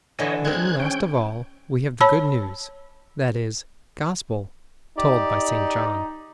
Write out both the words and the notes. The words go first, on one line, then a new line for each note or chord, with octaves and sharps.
Written last of all, we have the good news--that is, Gospel, told by St. John.
D3 E3 C#5 D#5
G#3 C4 F#6 G#6
C#4 G5
C#5 A5 B5 E6
D#4 G4 D5